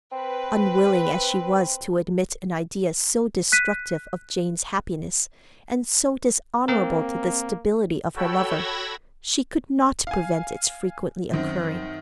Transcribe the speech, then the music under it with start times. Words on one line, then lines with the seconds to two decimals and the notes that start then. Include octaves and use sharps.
Unwilling as she was to admit an idea so destructive of Jane's happiness, and so dishonorable to the stability of her lover, she could not prevent its frequently occurring.
0.12 C4 B4
3.52 F#6 B6 D#7
6.68 A#3 C4 A#4
8.16 F#4 A4 C#5 G5 B5 E6
8.57 B5 E6 F#6 G#6 A#6
10.07 F5 G#5
11.33 F#2 D#3 C4